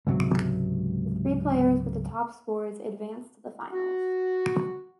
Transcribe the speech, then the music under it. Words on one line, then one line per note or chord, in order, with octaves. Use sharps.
The three players with the top scores advance to the finals.
C#2 G#2 C3 F#3
F#4